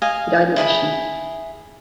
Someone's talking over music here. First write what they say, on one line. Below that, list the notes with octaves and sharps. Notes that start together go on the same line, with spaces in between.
He died in Eschen.
D#5 F5 G#5
E4 G#4 A5 B5